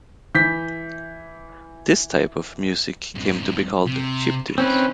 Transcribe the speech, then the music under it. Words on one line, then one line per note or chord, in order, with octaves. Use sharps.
This type of music came to be called "chiptunes".
E3 G6 B6
F2 G#2
C3
D#3 C4 C#4 B4 C5